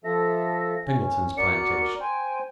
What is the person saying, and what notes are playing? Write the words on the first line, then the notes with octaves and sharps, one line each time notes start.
Singleton's plantation.
F3 A4 E5 A#6
C#4
F#4 A#4 D5 C#7
C5 G5 G#5